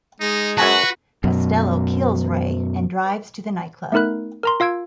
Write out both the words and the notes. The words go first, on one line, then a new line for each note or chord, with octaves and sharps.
Costello kills Rey and drives to the nightclub.
G#3 D#4
F#2 F#4 B4 G#5 A5
F#2 B2
A3 B3 D#4 A#4 B5 F#6
A#4 A#5 C6
F4 F5 E6 G#6 D7